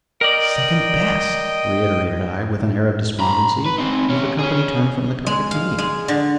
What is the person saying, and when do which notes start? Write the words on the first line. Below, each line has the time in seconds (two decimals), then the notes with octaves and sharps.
"Second best!" reiterated I, with an air of despondency, as the company turned from the target to me.
0.21 A#4 D5 D#5 G5
3.20 A#5 B5
3.66 B4
3.78 C4 D#4
4.10 C#4 G4
4.39 C#4 G#4
5.26 G#3
5.51 F5
5.78 G#3
6.08 D3